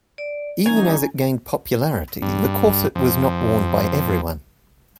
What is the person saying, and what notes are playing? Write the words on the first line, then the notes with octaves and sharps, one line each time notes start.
Even as it gained popularity, the corset was not worn by everyone.
D5
E3 G3 C#4 D#4 G#5 A#5
G2
F2